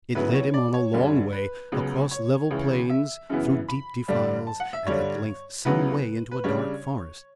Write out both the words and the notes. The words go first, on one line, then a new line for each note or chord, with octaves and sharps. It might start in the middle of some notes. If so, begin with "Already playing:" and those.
It led him on a long way, across level plains, through deep defiles, and at length some way into a dark forest.
D2 C#3 F#3 B3 E4 B4
C#5
D5
C#5
F#2 D3 G3
B4
C#2 C#3 F#3 B3
C#5
C#2 C#3 E3
E5
F#2 C#3 E3 B3 E4
B5
G2 D3 G3 D4
A5
F#5
E5
G2 D3 G3 D4 C#5
C#2 C#3 F#3 B3 E4 B4
B4
C#3 G3 D4 C#5